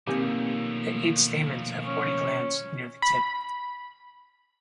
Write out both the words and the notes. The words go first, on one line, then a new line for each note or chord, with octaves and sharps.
The eight stamens have warty glands near the tip.
B1 D#3 F3 A3 A#3 C4 G4
C#4
B5